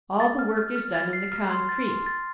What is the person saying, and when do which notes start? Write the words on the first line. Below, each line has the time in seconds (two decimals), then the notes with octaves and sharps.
All the work is done in the concrete.
0.20 A6
0.39 F6
0.57 F6
0.76 F6
0.94 A6
1.13 C7
1.32 F6
1.51 C6
1.69 A6
1.88 C6
2.06 A6